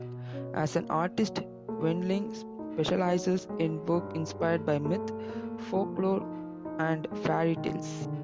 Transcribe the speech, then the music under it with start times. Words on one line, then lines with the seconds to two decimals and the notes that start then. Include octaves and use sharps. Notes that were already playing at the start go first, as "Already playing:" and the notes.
As an artist, Windling specializes in work inspired by myth, folklore, and fairy tales.
Already playing: B2
0.33 C#4
0.77 A#3
1.23 F#3
1.68 A3
2.13 A3
2.59 D#4
3.04 F#3
3.49 G#3
3.94 G2
4.40 A3
4.85 A3
5.29 A#3
5.75 F3
6.20 D#4
6.65 D#4
7.11 G#3
7.56 D#3
8.01 D3